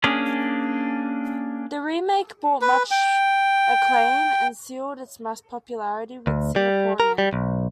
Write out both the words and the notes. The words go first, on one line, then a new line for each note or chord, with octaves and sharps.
The remake brought much acclaim and sealed its mass popularity with Singaporeans.
A#3 C#4 D4 G#4
B4
G5
D2
G3
A#4
G3
B1